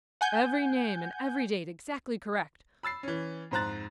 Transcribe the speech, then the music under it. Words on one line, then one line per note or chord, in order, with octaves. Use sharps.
Every name and every date exactly correct.
F#5 G#5 G6
B5 E6 A6 C7
E3 C#4
F2 G#2 C5 A#5 F#6 A6